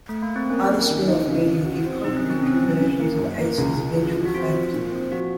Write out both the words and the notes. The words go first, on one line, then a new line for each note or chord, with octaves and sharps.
Other spin-off media give contradictory versions of Ace's eventual fate.
A3
A#3
C4
A#3 C#4
A#3
D#3
D#4
C#3
C#3
F#4
C4
C3 D#4
C#4
D#3
C4
C3 C#4
F#3
C#3
A#3
F#2
A#3
C#2
C#2
F3
F3
F#4
C4 F4
F3
A#2
C4
F3 F#4